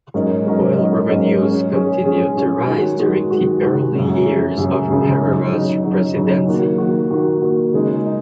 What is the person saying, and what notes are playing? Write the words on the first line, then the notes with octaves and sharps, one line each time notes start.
Oil revenues continued to rise during the early years of Herrera's presidency.
G#2 F#3 C#4 A#4 D#5
G#2 F#3 C#4 A#4 D#5
G#2 F#3 C#4 A#4 D#5
G#2 F#3 C#4 A#4 D#5
G#3 C#4 G#4 C#5
G#3 C#4 G#4 C#5
G#3 C#4 G#4 C#5
G#3 C#4 G#4 C#5
D#3 G#3 F#4
D#3 G#3 F#4
D#3 G#3 F#4
D#3 G#3 F#4
F#2 C#3 G#3 C#4 G#4
F#2 C#3 G#3 C#4 G#4
F#2 C#3 G#3 C#4 G#4
F#2 C#3 G#3 C#4 G#4
C#3 F#3 D#4
C#3 F#3 D#4
C#3 F#3 D#4
C#3 F#3 D#4
D#3 A#3 F#4
D#3 A#3 F#4
D#3 A#3 F#4
D#3 A#3 F#4
C#3 G#3 D#4
D#4